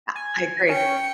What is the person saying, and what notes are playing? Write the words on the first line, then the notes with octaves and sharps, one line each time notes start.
I I agree.
G#5
C#4 G5 C#7